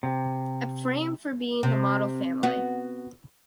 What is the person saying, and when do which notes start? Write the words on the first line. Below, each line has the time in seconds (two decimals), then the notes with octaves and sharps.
Ephraim for being the model family.
0.03 C3
1.63 C3
2.43 B3 F#4